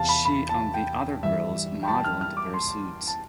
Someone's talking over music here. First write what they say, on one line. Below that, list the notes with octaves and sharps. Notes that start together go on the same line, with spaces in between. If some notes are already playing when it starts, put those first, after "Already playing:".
She and the other girls modelled their suits.
Already playing: E2 C3 E3 F5 A5
B5
B5
A5
G5
G2 E3 E5
G5
A5
F6
F6
D6
C6
A5